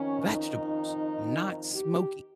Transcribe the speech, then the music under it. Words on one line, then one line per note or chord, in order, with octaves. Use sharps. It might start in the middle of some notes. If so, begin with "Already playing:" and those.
vegetables, not smoky.
Already playing: F2 D#3 C#4
D#4
G4